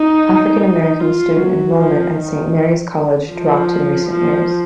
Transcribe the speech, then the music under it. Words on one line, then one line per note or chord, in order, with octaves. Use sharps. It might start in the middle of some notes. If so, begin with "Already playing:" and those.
African-American student enrollment at Saint Mary's College dropped in recent years.
Already playing: D#4
D#4
F4
F#3
F3
D#3
F3
F3